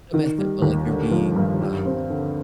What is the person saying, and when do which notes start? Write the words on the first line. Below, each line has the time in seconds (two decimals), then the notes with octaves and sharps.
not messed up, but, like, you're being, um,
0.14 D#3
0.38 G3
0.62 D#2
0.87 D3
1.11 F3
1.36 G2
1.61 G3
1.85 C4
2.10 D3